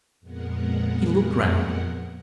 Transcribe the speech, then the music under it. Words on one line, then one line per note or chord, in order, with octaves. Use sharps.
He looked round.
F2 A#2 G#3 B3 A#4 F#5